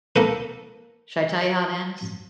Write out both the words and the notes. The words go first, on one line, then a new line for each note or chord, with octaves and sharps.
should I tell you how it ends?
A#3 A4 B4